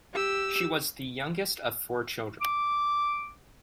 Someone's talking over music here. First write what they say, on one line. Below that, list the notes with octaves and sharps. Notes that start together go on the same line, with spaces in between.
She was the youngest of four children.
G4 E6
D6